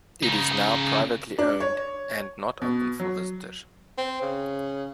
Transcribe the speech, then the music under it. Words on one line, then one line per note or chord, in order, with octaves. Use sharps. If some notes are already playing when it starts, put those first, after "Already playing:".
It is now privately owned, and not open for visitors.
C#3 D#4
D4
C#5
B2
F#3
C4
C#3